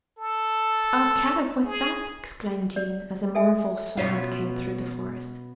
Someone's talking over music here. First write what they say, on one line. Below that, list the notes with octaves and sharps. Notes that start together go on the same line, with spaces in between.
"Oh, Kadok, what's that?" exclaimed Jean, as a mournful sound came through the forest.
A4
G#4
D5
A4 E5 G#5
B2 C#4 F4